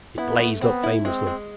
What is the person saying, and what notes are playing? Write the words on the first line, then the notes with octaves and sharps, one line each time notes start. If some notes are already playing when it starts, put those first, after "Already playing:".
It blazed up famously.
B3 E4
A3
B3 C4
E4
G#3 C4
G#3